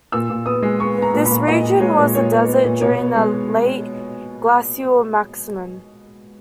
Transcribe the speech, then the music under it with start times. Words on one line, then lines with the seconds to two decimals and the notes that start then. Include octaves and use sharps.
This region was a desert during the Late Glacial Maximum.
0.12 A#2 E6
0.29 A#2
0.46 B3 D#6
0.62 G#3
0.80 B3 C#6
0.97 B3 A#5
1.13 A#2
1.25 B5
1.31 A#2
1.48 A#2 D#5
1.64 A#2
1.80 G#3 C#5
1.98 A#2
2.15 A#2 C#5
2.31 B3
2.48 B3
2.64 A#2
2.81 B2 C#5
2.98 B3
3.15 G#3